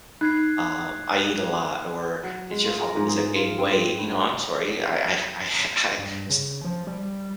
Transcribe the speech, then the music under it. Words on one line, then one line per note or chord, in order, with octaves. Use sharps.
um, "I eat a lot," or, "It's your fault because I've gained weight." You know, "I'm sorry. I I I h I h st"
D#4 F#6 G#6 C7
F#3
G#3
F4
A#4
G#2
G#4
F4
C4
C4
G2
F#4
C#4
G2
C#3
F3
G3